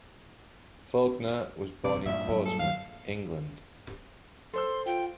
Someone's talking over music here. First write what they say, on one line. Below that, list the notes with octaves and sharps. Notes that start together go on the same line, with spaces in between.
Faulkner was born in Portsmouth, England.
D#1 A#1 C3 D5
G2 A#2 E3 E5
F#3
A4
F5
A4 C5 C6 E6
F4 G5